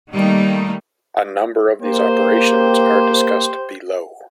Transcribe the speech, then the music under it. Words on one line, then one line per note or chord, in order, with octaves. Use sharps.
A number of these operations are discussed below.
D#3 G3 A3 A#3 D#4
A#3 G4 C5